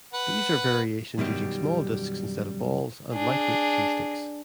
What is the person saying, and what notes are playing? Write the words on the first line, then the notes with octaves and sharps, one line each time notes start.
These are variations using small disks instead of balls, and light-weight cue sticks.
B4 F#5
F#2 B2 D#3 G3
D4 G#4